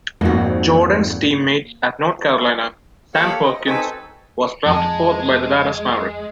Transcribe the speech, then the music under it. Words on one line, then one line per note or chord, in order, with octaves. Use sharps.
Jordan's teammate at North Carolina, Sam Perkins, was drafted fourth by the Dallas Mavericks.
G#1 F2 A#3 F#4
A#3 G4 A4 C#5 F5 F#5
D#5
C4 D#4 F#4 G#4 A4 B4
F2 G#3 A5